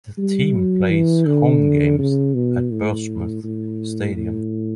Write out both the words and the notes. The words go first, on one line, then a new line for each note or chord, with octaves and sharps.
The team plays home games at Birchmount Stadium.
G3
F#3
E3
D3
C#3
B2
A2
A2
A2